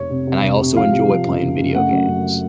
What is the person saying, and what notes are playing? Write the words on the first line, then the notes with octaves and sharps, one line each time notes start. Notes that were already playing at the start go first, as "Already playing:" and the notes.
and I also enjoy playing video games,
Already playing: F1 C3 C#5
C3
C3
F1
C3
F3 F5
C3
F3
F#1
F#1
F#1
A3 F#5
F#2
F#2